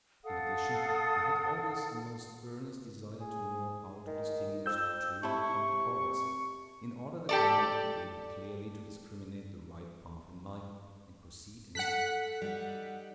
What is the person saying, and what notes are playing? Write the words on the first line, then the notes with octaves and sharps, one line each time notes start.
In addition, I had always a most earnest desire to know how to distinguish the true from the false, in order that I might be able clearly to discriminate the right path in life, and proceed in it with confidence.
A4 F5 F#5 D#6
G#4
D#3
F2 E6 G6
C3 A3 E4 C#6
G4 A4 D5
A4 F#5 F#6 B6
G3 D#4